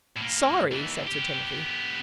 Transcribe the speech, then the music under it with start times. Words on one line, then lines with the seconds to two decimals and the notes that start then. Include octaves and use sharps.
"Sorry!" said Sir Timothy.
0.17 A2 A#3
0.71 D#2 E3
1.07 B3 G4